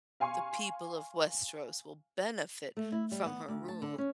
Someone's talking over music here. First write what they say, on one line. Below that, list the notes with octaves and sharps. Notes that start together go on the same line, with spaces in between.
the people of Westeros will benefit from her rule.
F5 G#5 C6 C#6
A3
E4
G3
B3
D2
A5
D3
C#4